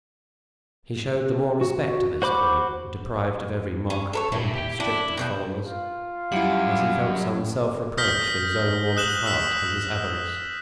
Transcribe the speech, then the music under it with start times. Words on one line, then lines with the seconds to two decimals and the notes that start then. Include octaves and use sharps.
He showed the more respect to this queen, deprived of every mark of pomp and stripped of followers, as he felt some self-reproach for his own want of heart and his avarice.
1.61 F#4
2.22 F#4 C5 B5 D6
3.90 C#4
4.13 A4 A#4 C#5
4.32 A#2 E4
4.55 G4 G5
4.80 D4 E4
5.17 B2 D#3 G3
5.65 F4
6.32 F#2 G3 E4 F#5
7.97 D#6 F6 G6 A#6 B6 G7
8.97 D#6 F#6 E7 F#7
9.26 E6 B6